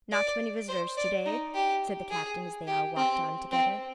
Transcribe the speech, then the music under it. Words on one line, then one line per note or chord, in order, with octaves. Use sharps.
"Not many visitors to-day," said the Captain, as they all walked on together.
D5
C5
D5
D#4
G4
G#4
G4
C4
C4